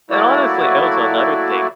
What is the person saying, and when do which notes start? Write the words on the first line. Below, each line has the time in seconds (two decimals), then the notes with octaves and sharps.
And, honestly, it was another thing.
0.10 F#3 A3 A#3 E4 F#4 D5